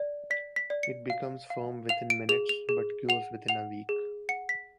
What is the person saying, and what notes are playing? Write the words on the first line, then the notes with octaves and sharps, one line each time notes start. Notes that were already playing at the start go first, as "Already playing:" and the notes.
It becomes firm within minutes but cures within a week.
Already playing: D5
D5 B6
B6
D5
C#7
F5
F5
F5 F7
D7
G#4 F7
F7
G#4
F#5 F7
F#5 F7
G#4
F#5 C#7
B6